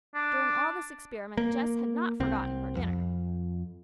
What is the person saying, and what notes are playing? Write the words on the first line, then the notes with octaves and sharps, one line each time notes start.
During all this experiment Jess had not forgotten her dinner.
D4
A#3
C2 C4
F2